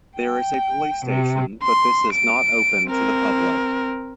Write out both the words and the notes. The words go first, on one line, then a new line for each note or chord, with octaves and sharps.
There is a police station but this is not open to the public.
G5
C3
C6
D7
C4 A#4